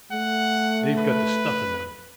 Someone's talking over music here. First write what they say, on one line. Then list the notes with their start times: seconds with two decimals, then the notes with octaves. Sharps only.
They've got the stuff in them!
0.12 A3 F#5
0.98 B4